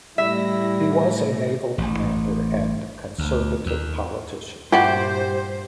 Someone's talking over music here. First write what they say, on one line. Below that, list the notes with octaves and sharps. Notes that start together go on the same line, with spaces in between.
He was a naval commander and Conservative politician.
A2 G3 E4 E5 A#6
A1
D2
D#2
G2 A#2 E3 G3 F#4 G4 C5